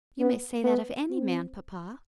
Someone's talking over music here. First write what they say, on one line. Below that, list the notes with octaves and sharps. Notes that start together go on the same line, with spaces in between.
"You may say that of any man, papa."
B3
B3
C4